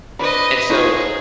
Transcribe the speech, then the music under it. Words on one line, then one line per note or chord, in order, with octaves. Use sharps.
And so,
D4 B4 C5 D#5 B5
D#4 F4 G#4 C5 C#5